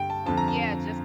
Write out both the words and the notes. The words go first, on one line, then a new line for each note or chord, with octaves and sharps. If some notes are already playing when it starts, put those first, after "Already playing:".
Yeah, just
Already playing: G2 D3 G3 G5
A5
F2 D3 F3 A5
A#5
A5